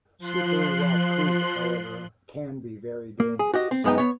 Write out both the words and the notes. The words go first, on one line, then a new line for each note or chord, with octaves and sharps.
Slippery Rock Creek, however, can be very dangerous.
F3 C6 F#6
A#3
G#4
F#4 G4 D#5
C4
F#2 G#3 B3 D#4 G5
B3 C#5